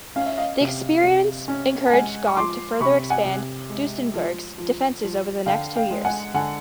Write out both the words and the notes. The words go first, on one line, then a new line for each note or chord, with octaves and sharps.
The experience encouraged Gaunt to further expand Dunstanburgh's defences over the next two years.
C#4 F5
E5
D#5 F5
C3
C3
C#4
A5
G#3 F#5 G#5
C#6
F3 C6 D6
C3 B5 C#6
F#5 G#5
C3
G#3
F3
F3
F3
D3 F5 G5
F5 G5
G#3
F#5 G#5
D3 F#5 G#5